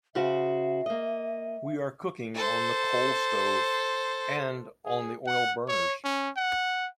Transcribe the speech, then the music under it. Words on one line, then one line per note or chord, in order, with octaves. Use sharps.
We are cooking on the coal stove and on the oil burners.
C#3 F#4 C5 E5
A#3 D#5
A4 C5
G#4
F#5
C#5
C#4
F#5